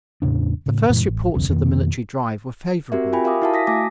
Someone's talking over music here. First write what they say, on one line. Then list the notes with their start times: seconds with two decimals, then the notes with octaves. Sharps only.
The first reports of the military drive were favorable.
0.22 E2 A2 C#3 D4
0.66 A2 C#3
0.89 F#2 A#2 E3 G#3
1.06 A1
1.34 E1 B1 E2 C#3
1.49 F2 B2 D#3 A#3
2.92 C4 F#4 G4 A#4 E5
3.13 F4 G4 G5 G#5 B5
3.24 A#4 E5 F5 G#5 D6 D#6
3.42 E4 F#4 E5 F5 A5
3.54 D#6 A#6 B6
3.67 A3 F#4 G#5 A5 D6 A#6